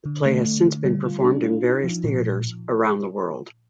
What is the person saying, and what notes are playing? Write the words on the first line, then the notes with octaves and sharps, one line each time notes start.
The play has since been performed in various theatres around the world.
D3
A3
D3
D3
G3
F4
D4
F4
D#4
F3
A#2